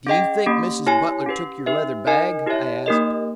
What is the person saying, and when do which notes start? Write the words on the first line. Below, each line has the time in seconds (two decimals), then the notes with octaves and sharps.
"Do you think Mrs. Butler took your leather bag?" I asked.
0.07 C#4 G#4 D#5 G5
0.46 A#3 C#4 G4
0.86 E4 G4 C#5 G#5
1.26 C#4 G4 B4
1.66 D#4 G4 B4 E5
2.07 D#4 A#4 D#5 G#5
2.46 E4 G4 C#5 E5
2.86 A#3 D#4 G4 A#4 D#5